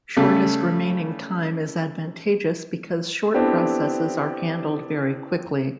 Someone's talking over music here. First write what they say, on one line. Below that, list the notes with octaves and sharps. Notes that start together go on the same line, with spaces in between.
Shortest remaining time is advantageous because short processes are handled very quickly.
C#3 G3 A3
B3 C4 D4 E4 G4 A4